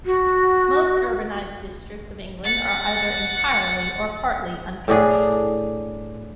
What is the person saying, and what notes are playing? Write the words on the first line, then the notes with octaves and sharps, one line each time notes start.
Most urbanised districts of England are either entirely or partly unparished.
F#4
F#5 A6
A2 D4 G#4